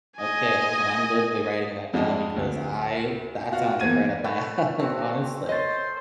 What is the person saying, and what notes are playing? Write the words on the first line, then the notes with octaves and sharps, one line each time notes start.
Okay, hold on, I'm literally writing that down because I that sounds, like, right up my alley, honestly.
D#5 G#5
F2 G#3 D4 D#5
D2
F4 F#4 F5
E2 A#3 G#6 D#7
A3 B4 C#5 G5
C4 F#4 A5
C5 C#5 D#5 A6